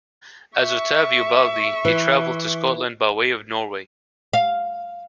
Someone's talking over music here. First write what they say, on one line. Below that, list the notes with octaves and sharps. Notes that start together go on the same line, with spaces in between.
As "Ottavio Baldi" he travelled to Scotland by way of Norway.
E5 C#6
E3
F5